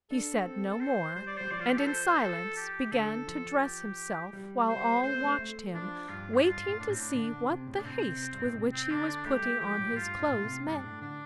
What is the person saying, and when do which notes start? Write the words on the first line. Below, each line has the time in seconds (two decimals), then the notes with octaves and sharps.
He said no more, and in silence began to dress himself, while all watched him, waiting to see what the haste with which he was putting on his clothes meant.
0.11 D4 A4
0.45 C4
0.71 A4
0.80 C5
1.16 G3 C5
1.27 D5
1.37 G3 C5
1.51 F3 D5
1.60 F4
1.70 G4
1.78 A4
1.87 C5
2.22 A4
2.57 G4
2.92 D3 A4
3.27 F3
3.63 G4
4.33 G3
4.69 C5
5.03 A3 C5
5.14 C4
5.24 A3
5.38 A3
5.74 F3 D4
6.09 G2 F4
6.34 D4
6.44 G2 F4
6.68 A2
6.80 D4
6.90 A2 C4
7.01 D4
7.14 D3 D4
7.32 D3
7.50 C3
7.67 A2
7.75 D4
7.85 C3 C4
8.08 C3
8.34 G2
8.44 A2
8.55 C3
8.73 C4
8.91 D3 D4
9.08 D4
9.25 A3 G4
9.38 G3
9.43 A3
9.60 F3 G4
9.79 A2
9.96 G2 F4
10.20 A2
10.32 A2
10.43 C3
10.66 G2 D4
10.85 A2
11.02 D3 D4